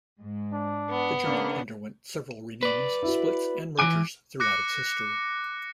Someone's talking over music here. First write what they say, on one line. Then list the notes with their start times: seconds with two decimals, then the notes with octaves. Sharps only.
The journal underwent several renamings, splits, and mergers throughout its history.
0.21 G#2
0.53 D4
0.91 B3
1.24 C#3 A#3 D4
2.63 B4 D5
3.03 E4 F#4
3.79 E3 G#5 D6 F#6 D7
4.40 D6 F#6 A#6 C#7